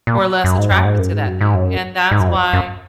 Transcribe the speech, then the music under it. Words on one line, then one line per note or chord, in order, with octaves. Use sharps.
or less attracted to that thing, and that's why
A#2
F#2
G#2
F#2
G#2
F#2
G#2
F#2
G#2
F#2
G#2
F#2
F2
F#2